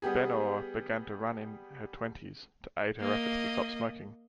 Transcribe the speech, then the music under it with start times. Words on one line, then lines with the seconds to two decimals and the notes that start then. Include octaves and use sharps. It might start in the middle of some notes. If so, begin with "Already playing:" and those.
Benöhr began to run in her twenties, to aid her efforts to stop smoking.
0.02 G3 B3 G4 G#4
3.00 A#3 D#5